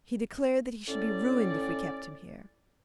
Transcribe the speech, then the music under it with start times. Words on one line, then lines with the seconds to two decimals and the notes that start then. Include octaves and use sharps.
He declared that he should be ruined if we kept him here.
0.88 A2 C#4 D5